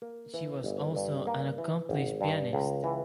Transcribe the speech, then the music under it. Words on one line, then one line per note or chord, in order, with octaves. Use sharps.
She was also an accomplished pianist.
A#3
E3
G1
G2
A#3
E3
G#1
G2
C#2
E3